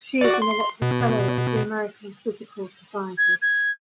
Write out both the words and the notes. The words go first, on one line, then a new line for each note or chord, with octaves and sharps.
She is an elected fellow of the American Physical Society.
F#4 D5
C6
B2
G#6
G#6